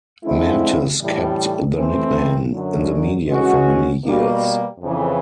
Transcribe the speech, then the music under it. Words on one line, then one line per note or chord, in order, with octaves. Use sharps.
Mertes kept the nickname in the media for many years.
D3 F3 G#3 C4 E4
A2 E3 G3
E3 A3 C4
F#2 D3 F#3
E3 G#3 C#4 F#4
B2 G3 A#3
F2 C#3 E3